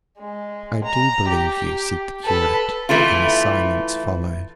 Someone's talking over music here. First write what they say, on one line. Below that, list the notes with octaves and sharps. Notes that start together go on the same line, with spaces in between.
"I do believe you," said the curate, and a silence followed.
G#3
A#5
G4
A4 B4
E3 A3 E4 F4